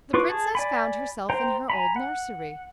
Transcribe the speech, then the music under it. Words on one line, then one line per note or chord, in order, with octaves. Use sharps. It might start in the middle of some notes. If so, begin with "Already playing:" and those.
The princess found herself in her old nursery.
F4 B4 C#6 D6
G#4 A5
D5 G#5 B5
C5 G5 A#5
G#5 A#5 B5
F#5